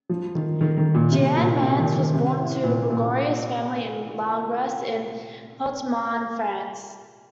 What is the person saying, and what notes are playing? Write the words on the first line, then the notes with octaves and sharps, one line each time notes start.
Jeanne Mance was born into a bourgeois family in Langres, in Haute-Marne, France.
F3
D#3
D#3
D#3
A#2
C3
A#2
C3
D#3
D#3
C3
A2
A#2
A#2